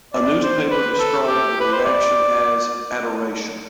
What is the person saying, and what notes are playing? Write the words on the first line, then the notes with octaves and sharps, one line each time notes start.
A newspaper described the reaction as "adoration".
D5
C5
B4
A4
G4
B4
C5
D5